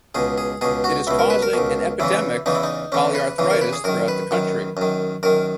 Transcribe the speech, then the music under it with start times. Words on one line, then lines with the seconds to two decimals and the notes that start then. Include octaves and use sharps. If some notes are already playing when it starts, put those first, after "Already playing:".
It is causing an epidemic polyarthritis throughout the country.
0.15 C#2 B2 G#4
0.38 G#4
0.61 C#2 B2 G#4
0.84 F#4
1.07 C#2 B2 E4
1.19 A#4
1.30 B4
1.42 A#4
1.54 C#2 B2
2.00 E2 C#3 E3 E4
2.46 E2 C#3 E3 D#4
2.55 E4
2.63 D#4
2.92 E2 C#3 E3 C#4
3.15 B4
3.39 E2 C#3 E3
3.50 A#4
3.61 B4
3.73 G#4
3.84 F#2 D#3 A#4
4.08 B4
4.31 F#2 D#3
4.77 F#2 D#3
5.23 F#2 D#3 A#4